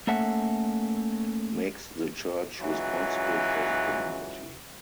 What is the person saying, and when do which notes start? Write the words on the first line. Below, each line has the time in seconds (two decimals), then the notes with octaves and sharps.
Makes the Church responsible for the community.
0.07 A3 A#3 C#4 A4 E5 F#5
2.61 C#2 E3 F#3